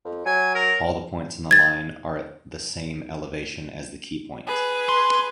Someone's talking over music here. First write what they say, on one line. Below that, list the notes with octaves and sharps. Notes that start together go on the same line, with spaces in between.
All the points on the line are at the same elevation as the keypoint.
F2
F#3 G#5
A#4
G#6 A6
G#4 B4
C6